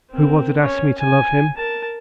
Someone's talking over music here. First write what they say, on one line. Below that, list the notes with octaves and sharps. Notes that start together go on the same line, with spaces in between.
"Who was it asked me to love him?"
C4 A#4
C#4 C#5
G#5
A#4 A5